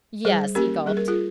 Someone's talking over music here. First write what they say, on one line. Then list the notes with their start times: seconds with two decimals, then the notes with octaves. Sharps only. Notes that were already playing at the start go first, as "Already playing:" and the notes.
"Yes," he gulped.
0.25 G3 G#4 C5
0.55 A#3 C#4 G4 A#4
0.86 G3 G#4
0.97 A#4
1.08 F4 G#4